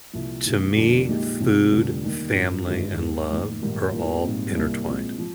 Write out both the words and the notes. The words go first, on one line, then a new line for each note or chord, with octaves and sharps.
to me- food, family, and love are all intertwined.
C2 A#2 F3
D2 C3 D#3
F2 D3 G3 A#3
A#1 A#2 G#3 D#4 G4
D2 C3 F3 C4 D#4
F1 F2 D3 G3
D#2 D#3 G3
G#1 G2 F3
G1 G2 D#3 G#3
G#2 D#3 G#3
F1 D#2 D#3
A#1 G#2 D#3 G3 A#3
G#2 G3 A#3 F4
A#1 G#2 G3 C4
C2 A#2 G3 A#3
A#2 F3 G#3 C4
F3